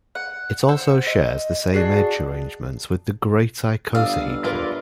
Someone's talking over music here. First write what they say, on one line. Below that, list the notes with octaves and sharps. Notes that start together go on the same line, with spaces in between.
It also shares the same edge arrangement with the great icosahedron.
F#5
C5 F#5 E6 G6
D#5
D4 F#4 G#4
G1 D5 D#5 F5 E6
G#3 E4 F4 A#4 B4 D5